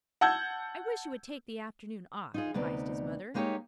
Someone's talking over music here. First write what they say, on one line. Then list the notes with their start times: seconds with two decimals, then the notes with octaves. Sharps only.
"I wish you would take the afternoon off," advised his mother.
0.21 F#5 A5 E6 G6 G#6
2.34 D#4 F4 G#4
2.54 D2 C3 B3 D#4 D5
3.34 G#3 A#3 D#4 G4 C5 C#5